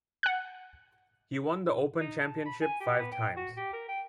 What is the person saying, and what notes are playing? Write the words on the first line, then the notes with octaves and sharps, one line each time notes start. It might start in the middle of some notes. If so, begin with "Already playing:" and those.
He won The Open Championship five times.
F#5 F#6
D#4
A5
B5
G#5
G4
B3
G5
F#4
G4
A#4
G5